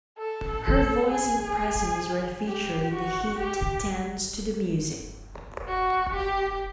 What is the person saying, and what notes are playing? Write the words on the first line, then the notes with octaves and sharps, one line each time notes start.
Her voice and presence were featured in the hit "Dance To The Music".
A4
A4
G#4
G4
F#4
G4
F#4
G4